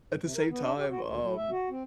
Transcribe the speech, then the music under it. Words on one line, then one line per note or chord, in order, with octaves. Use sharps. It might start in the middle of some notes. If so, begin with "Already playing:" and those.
at the same time, um,
G2
C3
A#4
B3
D4
G4
F#4
D2
F#3
E5
F#4
C4